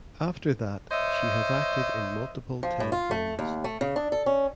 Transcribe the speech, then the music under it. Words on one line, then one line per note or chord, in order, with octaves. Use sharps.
After that she has acted in multiple telefilms.
C5 C#5 D#5 E5
F3
A2
F4
A3
D#2
A3
C#3
D4
A4
C#4